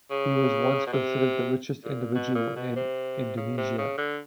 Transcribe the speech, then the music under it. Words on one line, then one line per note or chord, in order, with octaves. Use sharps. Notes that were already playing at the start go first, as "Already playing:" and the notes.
He was once considered the richest individual in Indonesia.
C#3
B2
C3
A#2
B2
A#2
B2
C3
C#3
C3
C#3
D3